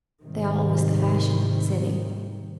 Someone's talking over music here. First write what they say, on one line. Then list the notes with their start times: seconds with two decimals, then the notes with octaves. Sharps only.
They all was the fashion in the city.
0.23 G#2 C3 D#3 G3